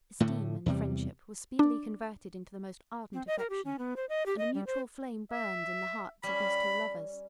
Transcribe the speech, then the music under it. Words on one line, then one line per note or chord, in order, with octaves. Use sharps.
Esteem and friendship were speedily converted into the most ardent affection, and a mutual flame burned in the hearts of these two lovers.
A2 D3 A3
E2 C3 G3
D4
C4
D#5
A#4
G4
C#4
B3
C5
D#5
G4
D#5
G3
C5
E5
G3 C#4 B5